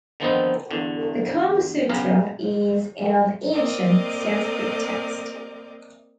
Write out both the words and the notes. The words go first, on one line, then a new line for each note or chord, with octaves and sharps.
The "Kama Sutra" is an ancient Sanskrit text.
D3 D#3 F3 B3 C4 D#4
E2 D3
B1 C#3 B3 F5 A#5
A#3 C4 A#4 D5 D#5